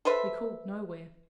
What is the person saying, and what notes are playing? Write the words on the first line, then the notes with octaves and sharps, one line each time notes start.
'We called nowhere.
A4 B4 C5 E5